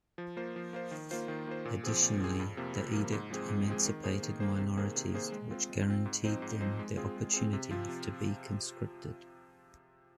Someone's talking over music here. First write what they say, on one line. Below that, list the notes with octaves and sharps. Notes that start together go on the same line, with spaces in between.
Additionally, the edict emancipated minorities, which granted them the opportunity to be conscripted.
F3
A#3 F4 C5
F3
A#3 F4 C5
D#3
A#3 F4 C5
D#3
A#3 F4 C5
A#2
F3 C4 G#4
A#2
F3 C4 G#4
F2
C3 F3 A#3
F2
C3 F3 A#3
G#2
F3 G#3 C4 G#4
G#2
F3 G#3 C4 G#4
D#3
A#3 G#4 C5
D#3
A#3 G#4 C5
C3
D#3 A#3 G#4 C5
C3
D#3 A#3 G#4 C5
G#3
C4 F4
G#3
C4 F4
G#2
F3 C4 D#4 C5
G#2
F3 C4 D#4 C5
G#3
C4 F4 G#4
G#3
C4 F4 G#4
C3
F3 C4 F4
C3